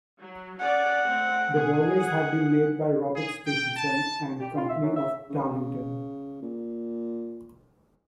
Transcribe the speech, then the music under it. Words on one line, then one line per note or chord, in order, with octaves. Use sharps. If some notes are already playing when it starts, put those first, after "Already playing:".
The boilers had been made by Robert Stephenson and Company of Darlington.
F#3
C#4 G#4 D5 F#5
A3 C4
G#4
F#5
G#4
G5
A5
G4
F4
E5
F#2
E5
C#3
A#2